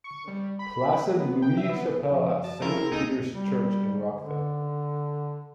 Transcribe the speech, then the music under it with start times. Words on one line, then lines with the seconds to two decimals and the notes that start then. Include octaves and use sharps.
Placide Louis Chapelle at Saint Peter's Church in Rockville.
0.04 C#6
0.28 G3
0.59 B5
1.06 A#3
1.20 B3
1.42 G5
1.57 E5
1.70 B3
2.10 F#2 D#3 F3
2.44 F#4 D5 A5
2.62 F3 C#4 E4 F4 A#4
2.77 C4 E4 G#4
2.92 C#2 A#3 D#4 G#4 A4
3.32 G3
4.18 D3